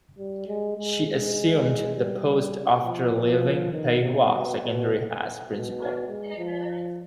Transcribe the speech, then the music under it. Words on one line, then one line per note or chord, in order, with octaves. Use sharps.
She assumed the post after leaving Pei Hua Secondary as Principal.
G3
G#3
G#3
G#3
G3
F3
F3
D#3
C3
B2
B2
B2
G#3
F3